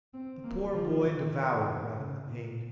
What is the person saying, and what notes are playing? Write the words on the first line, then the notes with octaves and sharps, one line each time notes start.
The poor boy devoured rather than ate.
C4
A#3
F3
D#3
C#3
A#2